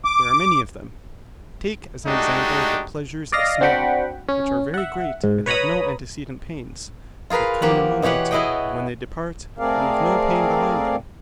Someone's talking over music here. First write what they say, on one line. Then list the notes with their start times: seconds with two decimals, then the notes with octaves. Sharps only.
There are many of them: take as an example the pleasures of smell, which are very great and have no antecedent pains; they come in a moment, and when they depart leave no pain behind them.
0.05 D6
2.06 G#3 A3 D4 D#4 F#4 G4
3.32 D5 D#5 F5 A#6
3.61 C4 D4 F#4 F#5 G5 B5
4.29 C#4
4.74 E5 F#5
5.24 G#2
5.46 B4 C#5 A#5 B5 D#6
7.30 F4 G#4 A#4 B4 F5
7.62 F3 A#3 G4 F#5
8.02 B2 E3 G4 C#5 F#5
8.31 B3 E4 F#4 G#4 D#5 G5
9.58 A3 C4 G#4 A#4 D5 F5